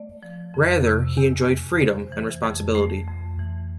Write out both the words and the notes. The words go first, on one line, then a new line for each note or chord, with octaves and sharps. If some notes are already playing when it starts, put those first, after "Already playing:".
Rather, he enjoyed freedom and responsibility.
Already playing: A3 D5
F3
F2
C3
E2
A3
E2 C5
E3
F2
A3
F2
E3